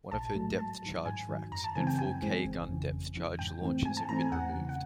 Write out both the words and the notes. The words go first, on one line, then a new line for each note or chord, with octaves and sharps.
One of her depth-charge racks, and four "K-gun" depth charge launchers have been removed.
A#1 A5
A2 F#3 A3
G#2 A5
D#3 F#3
G#2 G#5
D#3 F#3
F#2 A#5
A5
C#3 E3 G#3 C4 G#5
G5
F#2 G#5
C#3 E3 G#3 C4
G1
F2 C#3 E3
G1
F2 C#3 E3
G#2 G5
E3 A3 C4
G#2 G#5
A5
E3 A3 C4 A#5
G#5
E2 F#5
C#3 E3
F#5